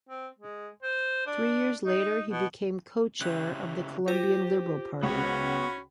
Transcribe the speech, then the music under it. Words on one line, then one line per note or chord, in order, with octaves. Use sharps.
Three years later he became co-chair of the Colombian Liberal Party.
C4
G#3
C5
D4
D#4
B2
C#3 E4 G4 F#6
F4 G4 C5 A#6
C#2 C#3 B3 C#4 F#4 C#5 F#5 B5